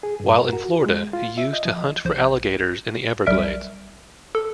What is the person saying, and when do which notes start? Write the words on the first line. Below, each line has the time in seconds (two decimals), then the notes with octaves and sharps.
While in Florida, he used to hunt for alligators in the Everglades.
0.03 G#4
0.20 G2
0.37 A#4
0.53 F#4
0.86 G#3
1.13 F4
1.38 E5
1.53 D#5
1.65 F3
2.05 A#1 C5
3.26 B1 G3 A#4 E5 D7
4.35 A4